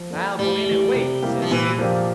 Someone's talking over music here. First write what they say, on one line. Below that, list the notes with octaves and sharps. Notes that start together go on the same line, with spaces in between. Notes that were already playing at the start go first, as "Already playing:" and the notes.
'I'll go in and wait,' says he.
Already playing: F3
A#3 D4 A4
A2 G3
E3 A3
C3
G3 A#3 E4 G4
F3
A#2 E3
F3 A#3 D4 G4